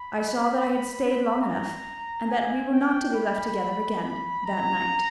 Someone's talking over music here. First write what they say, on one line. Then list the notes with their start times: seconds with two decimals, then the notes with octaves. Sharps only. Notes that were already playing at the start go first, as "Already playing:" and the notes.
I saw that I had stayed long enough, and that we were not to be left together again, that night.
Already playing: B5
1.42 A#5
2.29 G#5
2.72 G5
3.15 B5
4.02 B5
4.46 A#5